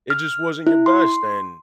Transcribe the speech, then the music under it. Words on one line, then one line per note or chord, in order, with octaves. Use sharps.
it just wasn't your best. And
F6
E4
C6